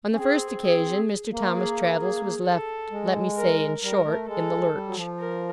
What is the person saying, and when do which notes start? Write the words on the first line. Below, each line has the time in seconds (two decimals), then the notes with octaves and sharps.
On the first occasion Mr. Thomas Traddles was left--let me say, in short, in the lurch.
0.13 C#4
0.18 C4 G#4
0.63 G#4
1.32 A#3
1.55 G#4
2.00 G#4
2.45 A4
2.91 G#3
3.37 A#4
3.82 G3 A#4
4.06 A3
4.27 G#3 A4
4.74 G3
4.87 F#3
4.96 F3
5.19 A#4